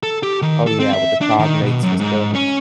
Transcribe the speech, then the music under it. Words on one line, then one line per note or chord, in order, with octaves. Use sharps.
Oh, yeah, with the cognates and stuff.
A4
G4
D#3
A4
C4
E5
D4
D#3
B2
F#2
G#2
C#4